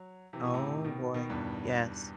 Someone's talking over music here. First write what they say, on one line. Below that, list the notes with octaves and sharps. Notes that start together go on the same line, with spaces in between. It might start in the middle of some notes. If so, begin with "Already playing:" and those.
Oh, boy, yes.
Already playing: F#3
C3 E3
C3 E3
A2 C3
B2 D#3
B2 D#3
E2 G2